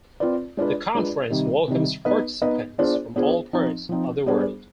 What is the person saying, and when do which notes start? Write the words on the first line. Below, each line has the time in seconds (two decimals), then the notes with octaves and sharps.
The conference welcomes participants from all parts of the world.
0.20 C4 F4 B4 D5
0.57 G#3 D4 F4 B4
0.95 G#3 D4 F4 B4
1.30 C3 D#3 G3
1.68 C3 D#3 G3
2.05 B3 D#4 B4 D#5
2.42 B3 D#4 B4 D#5
2.78 B3 D4 F4 G#4 C5
3.16 B3 D4 F4 G#4 C5
3.53 F3 C4 D#4
3.89 F3 C4 D#4
4.26 G3 B3 D4 G#4 C5